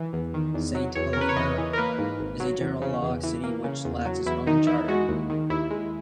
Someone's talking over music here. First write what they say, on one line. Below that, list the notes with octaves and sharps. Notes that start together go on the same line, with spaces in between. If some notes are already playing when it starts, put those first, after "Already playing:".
Saint Helena is a general law city which lacks its own charter.
Already playing: E3
E2
D#3
E2
F#3
E2 C#5
C#3 A#4
B4
C#5
E2 D#5
E3
A#4
A#3 B4
G#2
G#1
F#3
E2
C#3
E2
E3
A#3
C#3
E2
F#3
E2 E4
D#3 D#4
E2 E4
G#3 F#4
D#2
D#3
D#2 E4
G#3